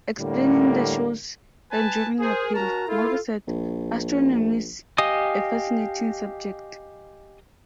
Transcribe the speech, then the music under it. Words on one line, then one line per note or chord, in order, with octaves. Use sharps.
Explaining the show's enduring appeal, Moore said: Astronomy's a fascinating subject.
A2 D3 G3 A#3
B4 G#5 A5
G#4 A#4 C5
C#4 F#4 A5 A#5
E4 F4 A4
A#1
G4 D#5 F5 G#5 D#6